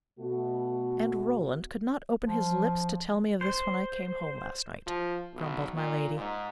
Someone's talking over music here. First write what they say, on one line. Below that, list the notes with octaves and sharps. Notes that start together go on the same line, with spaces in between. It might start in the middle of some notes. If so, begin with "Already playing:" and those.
"And Roland could not open his lips to tell me of this when I came home last night!" grumbled my lady.
B2 A3 F#4
F3
C5
F3
B1
A#2
G#2